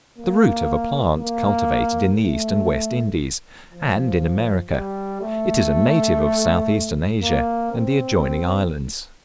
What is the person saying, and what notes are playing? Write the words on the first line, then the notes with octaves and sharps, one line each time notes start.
The root of a plant cultivated in the East and West Indies, and in America; it is a native of South-eastern Asia and the adjoining islands.
A#3
A#3
A3
F3
G3
A3
A#3
C4